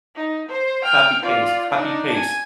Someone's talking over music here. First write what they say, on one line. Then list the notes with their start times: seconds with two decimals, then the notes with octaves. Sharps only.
copy, paste, copy, paste.
0.15 D#4
0.48 C5
0.83 G5 F6
1.23 F4 D5
1.70 D4 D#4
2.14 G#5